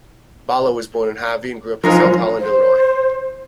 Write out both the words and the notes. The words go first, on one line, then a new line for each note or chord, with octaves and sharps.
Boller was born in Harvey, and grew up in South Holland, Illinois.
F3 G#3 D#4 F4 A#4
C5